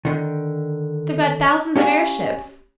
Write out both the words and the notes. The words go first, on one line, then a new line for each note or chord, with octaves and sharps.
They've got thousands of airships.
D3 D#3
C#4 G4 F5 G#5